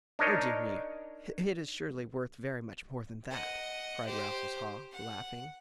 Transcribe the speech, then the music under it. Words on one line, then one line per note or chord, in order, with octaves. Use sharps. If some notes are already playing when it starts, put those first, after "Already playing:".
"Oh dear me, it is surely worth very much more than that," cried Raffles Haw, laughing.
D4 D#4 A#4 C#5 D#5
D#5 F#5
G4 C5
F#5